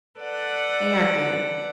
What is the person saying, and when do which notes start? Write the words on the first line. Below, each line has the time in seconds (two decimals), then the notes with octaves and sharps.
They are good.
0.19 A4 B4 D5 F#5